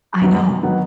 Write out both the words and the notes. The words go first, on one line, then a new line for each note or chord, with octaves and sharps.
I know.
F#2 D#3 F#3 B3 D#4
D#3 F#3 B3 D#4